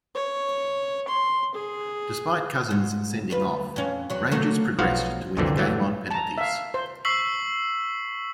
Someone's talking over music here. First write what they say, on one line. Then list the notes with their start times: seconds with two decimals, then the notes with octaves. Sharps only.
Despite Cousin's sending off, Rangers progressed to win the game on penalties.
0.15 C#5
1.08 C6
1.55 G#4
2.71 G#2
3.30 D2 F4 B4
3.76 F2 C#4
4.10 E2 F#3
4.32 F#3 A3 A#3
4.79 B1 F3 F#4 B4 F5 F#5
5.37 C2 F2 A#2 D3 E3 C4
5.57 E3 F#3 G3 A3
6.11 A5 A#5
6.38 E5 F5
6.74 C5
7.05 C#6 E6 B6 C7 F#7